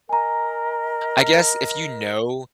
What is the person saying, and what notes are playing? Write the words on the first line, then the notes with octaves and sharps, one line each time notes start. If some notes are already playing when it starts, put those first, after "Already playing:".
I guess if you know
A#4 D#5 G#5 A#5